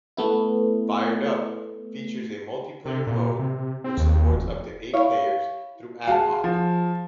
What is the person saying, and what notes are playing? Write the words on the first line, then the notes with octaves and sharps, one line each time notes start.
"Fired Up" features a multiplayer mode which supports up to eight players, through ad-hoc.
A3 B3 E4
C3
A#2
C3
C4
D#2
F1
E4 C#5 F5
F#4 G#4 F5 A5
F3